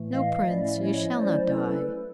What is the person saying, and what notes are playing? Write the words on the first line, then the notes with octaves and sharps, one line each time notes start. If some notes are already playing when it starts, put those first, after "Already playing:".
'No, Prince, you shall not die.
Already playing: A2 E3 A3
D#5 F5
A2 F3 A3 C#4 E4 D5 E5
C#5 D#5
F#3 A3 C#4 E4 C5 D5
A4 B4